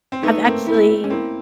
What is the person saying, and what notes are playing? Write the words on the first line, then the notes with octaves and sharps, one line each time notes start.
I've actually
C4
A3 B3 D#4
A#3 C4
E4
C#4
A#3 C4 E4